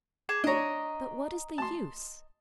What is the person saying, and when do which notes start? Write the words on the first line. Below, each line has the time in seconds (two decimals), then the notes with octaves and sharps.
But what is the use?
0.29 G#4 A5 D6
0.44 D4 C#5 D#5 A#5
1.58 A5 C6